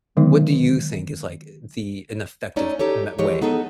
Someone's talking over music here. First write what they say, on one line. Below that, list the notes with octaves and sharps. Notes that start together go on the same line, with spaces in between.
What do you think is, like, the ineffective me way,
D3 D#3 F#3 G#3 B3 D#4
A3 C#4 D#4 C#5 D5
D#4 G4 A4 C#5
E3 F3 G#3 G4 C#5
B3 D#4 G#4 A4